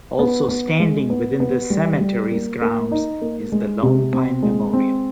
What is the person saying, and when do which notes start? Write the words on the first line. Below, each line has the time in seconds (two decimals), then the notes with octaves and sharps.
Also standing within the cemetery's grounds is the Lone Pine memorial.
0.19 B3
0.48 B3
0.80 G#3
1.10 B3
1.40 B3
1.70 G3
2.00 G3
2.31 A#3
2.62 A#3
2.92 D#4
3.21 A#3
3.52 G#3
3.83 C3
4.13 C4
4.43 G#3
4.73 C4